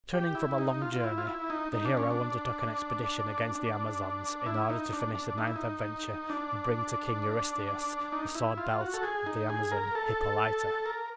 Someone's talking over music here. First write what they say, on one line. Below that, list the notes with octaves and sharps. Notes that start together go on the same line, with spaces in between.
Returning from a long journey, the hero undertook an expedition against the Amazons in order to finish the ninth adventure and bring to King Eurystheus the sword belt of the Amazon Hippolyta.
G4
E4
D#4
F4
F4
E4
F4
E4
D#4
D#4
D4
C#4
D4
D4
E4
D#4
D4
D4
D#4
E4
D#4
D4
D#4
E4
F4
F#4
A4
G#4
D#4
G#4
A#4
A4
A#4